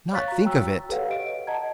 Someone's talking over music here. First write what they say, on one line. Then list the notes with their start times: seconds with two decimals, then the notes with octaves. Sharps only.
Not think of it!
0.13 C#5 F5 C#6 F#6 A6 B6
0.28 F#4 A#5
0.45 G5 A#5 E6
0.89 G4 A4 B4 C#5 F5 F#5
1.10 D#5 D7
1.47 D#5 F#5 A5 A#5 G#6